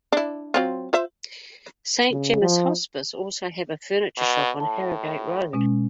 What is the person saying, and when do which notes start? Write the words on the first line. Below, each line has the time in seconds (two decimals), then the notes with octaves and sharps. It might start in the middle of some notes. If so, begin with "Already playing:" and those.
Saint Gemmas Hospice also have a furniture shop on Harrogate Road.
0.12 D4 E4
0.54 F#3 C4 F4
0.93 F4 C5 E5
2.11 C#3
2.41 F3
4.18 B2
4.60 A2 A5
5.53 B2 G#3 C#4